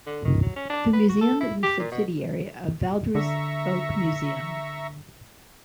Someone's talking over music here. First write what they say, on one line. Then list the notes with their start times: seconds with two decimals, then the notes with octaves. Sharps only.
The museum is a subsidiary of Valdres Folkemuseum.
0.06 D3
0.25 D#3
0.42 F#3
0.56 C#4
0.70 D4
0.93 B4
1.09 F#4
1.21 A4
1.41 E4
1.63 G4
1.80 A#2
1.92 B2
3.15 D3 E5 A#5 C#6